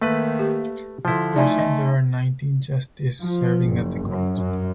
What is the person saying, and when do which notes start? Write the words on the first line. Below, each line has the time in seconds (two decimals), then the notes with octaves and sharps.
At present there are nineteen justices serving at the Court.
0.01 D#3 A3 A#3 B4 E5
0.39 G4
1.05 D3 F3 E4 C6
1.36 A3 D#4 D5 E5 G#5 C6
1.58 D#5
3.23 F3
3.63 F#1
4.07 F#2
4.39 F#2